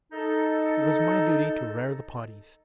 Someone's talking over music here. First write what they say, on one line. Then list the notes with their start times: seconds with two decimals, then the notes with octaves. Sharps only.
It was my duty to "rare the poddies".
0.12 D#4 A4